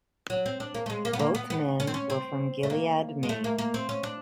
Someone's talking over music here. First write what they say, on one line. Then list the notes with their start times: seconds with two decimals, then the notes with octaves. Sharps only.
Both men were from Gilead, Maine.
0.30 F#3
0.46 C4
0.60 D4
0.74 A#3
0.86 A3
0.90 G#3
1.05 A#3
1.13 B3
1.19 A#3
1.35 B3
1.50 B3
1.80 C#4
1.87 C4
1.94 C#4
2.10 C4
2.63 A3
2.70 A#3
3.23 G#3
3.29 A3
3.44 A#3
3.58 A#3
3.74 C4
3.89 C#4
4.03 D4